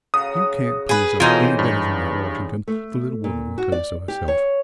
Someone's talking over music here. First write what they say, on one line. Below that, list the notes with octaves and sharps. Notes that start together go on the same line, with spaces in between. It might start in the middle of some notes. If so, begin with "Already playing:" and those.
You can't please us any better than that, Washington; the little woman will tell you so herself.
C#3 F#4 A#5 D#6
G#4 B4
B2 E3 F#3 D#4 F4 A4 C5 C#5
G2
A3
A#2
F#4
D5
G4
C#5